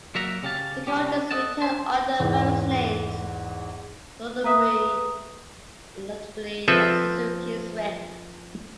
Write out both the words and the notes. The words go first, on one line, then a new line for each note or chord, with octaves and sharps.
The Cultus retailed under various names globally, notably as the Suzuki Swift.
F#3 A#3 E5 F#5 A#5
C#3 C#4 G4 F5 A5
C2 G3 C#4 G4
A4 D#5 F#5 A5
C5
E2 G#2
A#3 B4 E5 A#5 D#6
F3 C4 A4 B4 E5